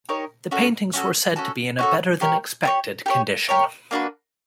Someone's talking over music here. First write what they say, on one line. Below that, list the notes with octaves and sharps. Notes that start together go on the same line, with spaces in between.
The paintings were said to be in a better-than-expected condition.
D#4 G4 A#4 C#5
C#4 F#4 A4
C#4 F#4 A4
C#4 F#4 A4
C#4 F#4 A4
G4 A#4 C#5
G4 A#4 C#5
G4 A#4 C#5
G4 A#4 C#5
A#3 D4 F#4 B4